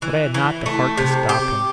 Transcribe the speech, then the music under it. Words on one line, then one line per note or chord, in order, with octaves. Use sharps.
But I had not the heart to stop him.
E3
E3
A3
C3
G4